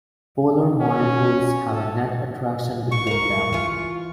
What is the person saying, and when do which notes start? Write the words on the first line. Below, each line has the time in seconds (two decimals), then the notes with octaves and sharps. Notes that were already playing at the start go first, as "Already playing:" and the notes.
Polar molecules have a net attraction between them.
0.81 C#4
1.72 A4
2.92 A#2 C#6
3.07 A#4 F5
3.53 E3 F4